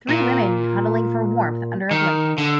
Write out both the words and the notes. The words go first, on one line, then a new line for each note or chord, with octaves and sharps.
Three women huddling for warmth under a blanket.
A#2
D#3
D3